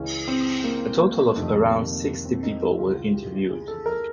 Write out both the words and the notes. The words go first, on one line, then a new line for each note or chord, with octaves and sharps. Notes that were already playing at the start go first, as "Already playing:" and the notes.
A total of around sixty people were interviewed.
Already playing: C#2 C#3 E3 C#4
C4
A#3
A#3
F2 C3 D#3 A3
A#3
C4
D#4
E4
C#2 C#3 E3 F4
G4
G#4
A4
A#4